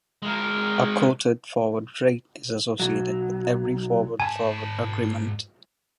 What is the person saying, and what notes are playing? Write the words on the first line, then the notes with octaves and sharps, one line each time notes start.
A quoted forward rate is associated with every forward-forward agreement.
G#3 A#4
B1 F#3
G#2 G#5 A5